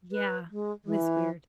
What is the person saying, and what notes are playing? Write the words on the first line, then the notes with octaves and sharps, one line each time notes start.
Yeah. It was weird.
B4
G#3
E3